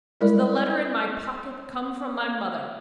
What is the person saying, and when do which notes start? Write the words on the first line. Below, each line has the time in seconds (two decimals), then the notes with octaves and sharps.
"Does the letter in my pocket come from my mother?"
0.21 G3 G#3 E4 A#4 D5